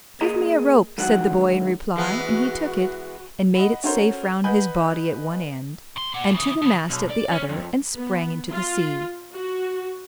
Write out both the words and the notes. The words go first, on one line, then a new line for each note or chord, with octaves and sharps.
'Give me a rope,' said the boy in reply, and he took it, and made it safe round his body at one end, and to the mast at the other, and sprang into the sea.
A#3 G#4 D#5 A#5
G#2 D3 D#3 F#3 F#5
E3 G#3 B3 F#4
D#5 F#5 B5
C#4 F#4 A4 A#4 C5
B4 D#5 F#5 G#5 G6
F#2 C6
A#2 F#5
C#3 E3 D#6
D3 B3
B1
D5
C#4
F2
B3
F4
F#4